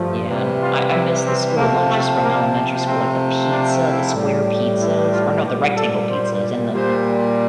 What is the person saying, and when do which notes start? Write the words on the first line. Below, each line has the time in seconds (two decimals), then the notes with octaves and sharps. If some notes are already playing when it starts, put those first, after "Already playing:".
Yeah, an I I missed the school lunches from elementary school, like the pizza, the square pizzas, or no, the rectangle pizzas and the
Already playing: G2 F3 A3
0.27 C3 E3 G3
0.60 F4
0.91 E4
1.24 C4
1.56 C3 F3 A3 A#3
1.89 A3
2.21 A#3
2.86 C3 F3 A3 C4
3.51 D4
3.83 E4
4.15 A2 G3
4.80 E4
5.12 F4
5.44 A#2 G3 G4
5.76 A4
6.09 C5
6.73 A#2 G3 C5